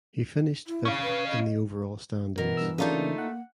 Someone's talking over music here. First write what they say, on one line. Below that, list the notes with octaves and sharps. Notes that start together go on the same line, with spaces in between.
He finished fifth in the overall standings.
E4
C#4 F5
B4
D#5
B2 E3 A#4
G2 E6
C#3 A3 A#3 D4 D#4 F4 D#5
A#3 F#5